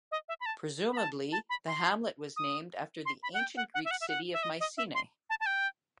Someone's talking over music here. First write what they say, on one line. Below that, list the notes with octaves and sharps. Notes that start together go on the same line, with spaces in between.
Presumably the hamlet was named after the ancient Greek city of Mycenae.
D#5
E5
B5
A5
B5
A5
A5
B5
C6
D#6
C6
B5
F#5
G5
F#5
F#5
E5
F#5
E5
F#5
E5
D#5
D#5
E5
C6
A5
A5
G5